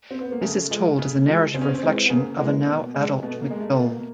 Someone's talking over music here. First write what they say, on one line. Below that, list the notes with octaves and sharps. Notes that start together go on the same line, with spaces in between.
This is told as a narrative reflection of a now adult McDull.
C4
B3
A#3
C#3 A3
F3 G#3
C#3
F3 G#3
C#3 C4
C#4
C4
E3 G#3
B3
C#3 A#3
E3 G#3
B2
G#3
B2 A3
A#3
G#3
A3
B2 A#3